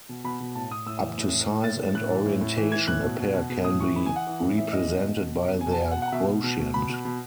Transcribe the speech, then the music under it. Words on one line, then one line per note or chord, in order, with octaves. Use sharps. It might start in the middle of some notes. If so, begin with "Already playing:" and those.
Up to size and orientation, a pair can be represented by their quotient.
B2
B2 B5
B2
A2 A5
A2 D#6
A2 E6
E3
A2
A2
A2
A2 A6
A2
A2 F#6
E3
A2
A2
E3
E3 G#6
A2 F#6
B2
B2
B2
B2
A2 D#6
E3 C#6
E3 B5
G#5
E3 F#5
E3
A2
E3 E5
E3 D#5
B2
B2
B2
B2
B2
G#5
B2
A5
B2 G#5
F#5
B2
F#5
B2 E5
B2
B2
B2
B2 B5
B2
B2